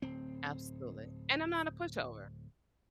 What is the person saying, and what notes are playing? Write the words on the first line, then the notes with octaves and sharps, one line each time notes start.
Absolutely, and I'm not a pushover.
D1 C4